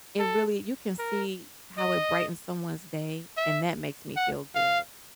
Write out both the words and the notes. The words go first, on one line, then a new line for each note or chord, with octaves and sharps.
it really you can see how it brightens someone's day, and that makes me feel good,
A4
A#4
D#5
E5
F#5
F5